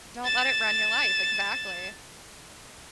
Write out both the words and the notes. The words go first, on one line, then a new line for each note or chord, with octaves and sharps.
Don't let it run your life exactly.
A6 E7